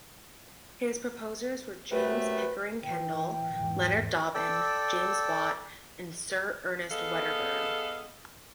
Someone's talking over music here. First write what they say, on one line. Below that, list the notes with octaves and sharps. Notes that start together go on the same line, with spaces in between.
His proposers were James Pickering Kendall, Leonard Dobbin, James Watt, and Sir Ernest Wedderburn.
F#2 C3 A3 B4
E3 G5
E2 G#2 E3
A4 D5 G5 E6
B3 G#4 A4 D#5 F5